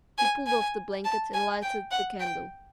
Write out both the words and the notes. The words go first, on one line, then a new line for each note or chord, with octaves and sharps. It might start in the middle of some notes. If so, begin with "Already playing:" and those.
He pulled off the blanket and lighted the candle.
G#5
G#5
A5
G#5
G5
F#5
G5